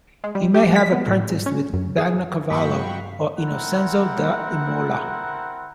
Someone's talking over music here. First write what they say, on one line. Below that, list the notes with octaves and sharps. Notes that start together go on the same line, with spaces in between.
He may have apprenticed with Bagnacavallo or Innocenzo da Imola.
G#3
G3
G4
B6
B3
A2
G#2
C#4
F#2
G#4
G2 F#3 F5 G5 B5 C#6 B6
C4 E4 A#4 F#5